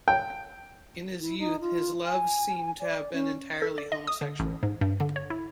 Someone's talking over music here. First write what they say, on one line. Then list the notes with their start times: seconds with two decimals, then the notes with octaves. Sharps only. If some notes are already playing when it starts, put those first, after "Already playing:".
In his youth his loves seem to have been entirely homosexual.
0.08 G5
1.20 E4
1.39 D#4
1.61 F4
2.05 G#5
2.80 D5
3.12 C#4
3.62 A4
3.78 D5
3.92 D#5
4.07 D#6
4.21 D3
4.39 A1
4.63 G#2
4.81 G2
5.00 D3
5.16 C#5
5.30 E4